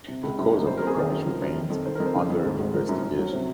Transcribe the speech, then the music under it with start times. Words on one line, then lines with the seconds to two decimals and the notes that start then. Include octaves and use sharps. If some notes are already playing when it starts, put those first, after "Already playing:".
The cause of the crash remains under investigation.
0.08 C3
0.23 C#2
0.38 F#2
0.53 F#1
0.67 F#2 C5
0.77 A#4
0.82 C4 G#4
0.96 D#3
1.12 F#2
1.26 F3 A#4
1.41 F#2
1.56 D#3
1.70 F2
1.86 D#3 C5
1.95 F2 A#4
2.06 C5
2.16 C#3
2.30 F2
2.45 G#2
2.59 G#1
2.74 F3 A#4
2.89 F#2
3.03 F#2
3.18 F#3
3.33 C3 C5